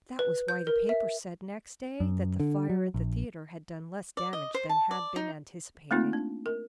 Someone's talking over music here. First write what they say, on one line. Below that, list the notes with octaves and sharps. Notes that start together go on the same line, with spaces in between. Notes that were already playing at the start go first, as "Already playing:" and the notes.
That was why the papers said next day that the fire at the theatre had done less damage than had been anticipated.
B4
G6
A#4
E5
F#2
D3
F#3
A#1
D5
D#5
C5
A5
D5
D#4
A3 A#3 C4 D#4 F4
D4
A#4